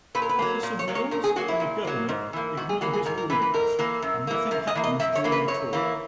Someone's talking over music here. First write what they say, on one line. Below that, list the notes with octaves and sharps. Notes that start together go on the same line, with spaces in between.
Officer Mills and the governor ignore his warnings, and nothing happens during the tour.
A#2 B4
A#4
B4
F#3 A#3
A#2
C#5
F#3 A#3
C#5
A#2 A#4
G#4
F#3 A#3 F#4
E4
A#2
F#3 A#3
G#2
E3 A#3
G#2 F#4
G#4
E3 A#3 F#4
G#4
G#2 A#4
A#4
E3 A#3 B4
B4
G#2 A#4
E3 A#3
F#2
E3 A#3
F#2 A#4
D#5
E3 A#3
D#5
F#2 E5
C#5
E3 A#3
B4
F#2 C#5
E3 A#3